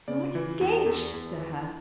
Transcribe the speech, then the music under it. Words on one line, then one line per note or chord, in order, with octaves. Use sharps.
"You are engaged to her!"
C#3 D5
E3
E2
E2
E2
E3